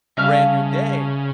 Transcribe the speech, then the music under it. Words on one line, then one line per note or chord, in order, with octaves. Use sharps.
Brand New Day,
C#3 G3 E5 F5 A5 C#6 F6